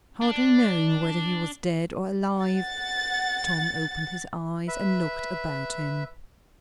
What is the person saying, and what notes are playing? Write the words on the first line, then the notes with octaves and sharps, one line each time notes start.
Hardly knowing whether he was dead or alive, Tom opened his eyes and looked about him.
D4
F#5 A6
B4 E5